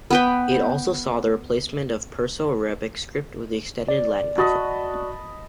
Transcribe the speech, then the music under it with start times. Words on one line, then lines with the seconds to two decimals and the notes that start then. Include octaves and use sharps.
It also saw the replacement of the Perso-Arabic script with the extended Latin alphabet.
0.10 B3 B4 G5
3.88 D5
4.38 F#4 D#5 A5 B5